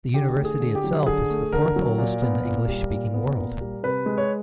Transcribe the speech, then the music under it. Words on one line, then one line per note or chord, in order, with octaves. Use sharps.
The university itself is the fourth oldest in the English-speaking world.
D3 G4
A3
G#4
D3
G4
F#3
D3 G#4
A3
D3 A#4
F#3
A#2
B3
A#2
G3
A#2
B3
A#2
G3
C3 B4
G#3
C#5